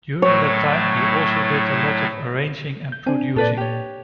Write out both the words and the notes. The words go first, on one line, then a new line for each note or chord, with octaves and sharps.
During that time he also did a lot of arranging and producing.
A2 F#3 A3 C#5
G6
C4 D4 G#5
A#2 A4 B4 D5
G4 C#5